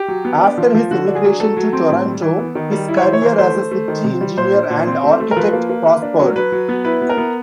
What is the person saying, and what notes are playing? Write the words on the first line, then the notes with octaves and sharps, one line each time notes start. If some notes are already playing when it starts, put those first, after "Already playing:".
After his emigration to Toronto, his career as a city engineer and architect prospered.
Already playing: G4
F#3
B3
D4
F3
F3
D3 F#4
D4
G#4
F#3
A3 A4
F#3
C4
A2
G3
E3
B3
D#3
G3
E4
C#5
E3 C5
C#5
E3 C5
A3 C5
A3
A3
D#3
C3
G3
A#2 C5
D4
A#2
C4
A3
A3
A#4
F3 B4
A#3
A#3
A#3
D4
F#3
F#3 B4
F#3
B3
E4 B4
B3
A#4
B3